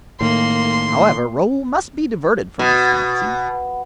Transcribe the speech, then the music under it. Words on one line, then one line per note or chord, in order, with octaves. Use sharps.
However, Raoul must be diverted from this fancy.
A2 D#3 A#3 C6
B2